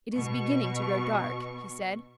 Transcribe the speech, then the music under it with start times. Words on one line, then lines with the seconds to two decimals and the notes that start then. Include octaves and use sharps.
"It is beginning to grow dark," he said.
0.14 B2 C#6